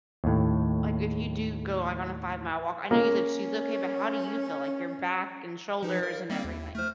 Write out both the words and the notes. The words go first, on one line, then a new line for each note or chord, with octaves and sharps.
a like, if you do go, like, on a five-mile walk I know you said she's okay, but how do you feel? Like, your back, and shoulders, and everything.
D#2 A2
A#3 C#4
F3 D#4 B4
A#4 F5
G3 A#3 C4 F5
D#2 E4
A3 C5 F6